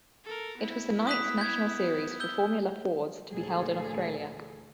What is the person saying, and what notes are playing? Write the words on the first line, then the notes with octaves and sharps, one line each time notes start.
It was the ninth national series for Formula Fords to be held in Australia.
A4 A#4
B3 E4
D#6 F#6 B6
G6 G#6
E6 G6 G7
D2 A#2 E3 A#3 G#4 A4